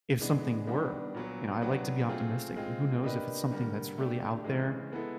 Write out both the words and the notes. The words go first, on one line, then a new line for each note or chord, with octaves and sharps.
if something were, you know, I like to be optimistic. But who knows if it's something that's really out there
E3 G#3 B3 D4
D#3 G3 B3 D4
A#2 F#3 B3
F#3 B3 D4 G4
A3 C4 F4 G#4
G#3 C4 F4
A#3 D4 G4 B4 D#5
D3 G3 A#3
A3 D4 G4
C#3 E3 G#3
G#3 B3 E4 A4